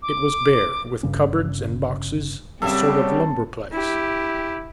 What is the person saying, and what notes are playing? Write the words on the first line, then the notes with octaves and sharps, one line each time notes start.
It was bare, with cupboards and boxes, a sort of lumber-place.
D6
G1 G2 C#3 C#4
F#2 C#3 G3 C4 G4 A4 E5
E4 G4